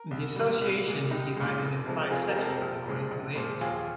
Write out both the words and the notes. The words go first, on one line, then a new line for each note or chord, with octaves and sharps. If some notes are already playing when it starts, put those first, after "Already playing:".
The association is divided in five sections according to age.
Already playing: A#4
C2
A#2 G3
C2
A#2 G#3
C2 D#4 G4
A#2 G#3
F1
F2 C3 F3 G#3
F1 F4 G#4
G4 A#4
F2 C3 F3 G#3
G4 A#4
A#1
A#2 F3 G#3
A#1
A#2 F3 G#3
D#2 F4 G#4